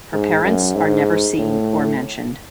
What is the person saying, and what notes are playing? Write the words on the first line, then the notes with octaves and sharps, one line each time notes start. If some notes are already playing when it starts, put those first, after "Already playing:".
Her Parents are never seen or mentioned.
G#2
F#2
G#2
A2